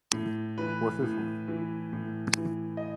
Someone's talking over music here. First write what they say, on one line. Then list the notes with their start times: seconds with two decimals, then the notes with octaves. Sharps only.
What's this one?
0.13 A2
0.58 E3 B4
1.03 A2
1.48 E3
1.93 A2
2.37 E3
2.77 D#5